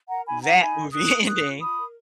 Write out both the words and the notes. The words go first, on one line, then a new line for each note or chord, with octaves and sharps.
That movie ending
A#4 F#5 A#5
D#4 G#5 B5
D#4 F#5 A#5
D#4 G#5 B5
A#4
A#4 D#6 F#6
D#4
A#4 D#6 F#6
F4
F4 B5 D#6
A#4